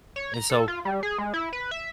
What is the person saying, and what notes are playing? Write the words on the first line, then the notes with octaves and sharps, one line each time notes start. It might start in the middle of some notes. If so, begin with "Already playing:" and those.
And so,
C#5
A#5
A4
F4
G3
G#4
G#3
E4
B4
E5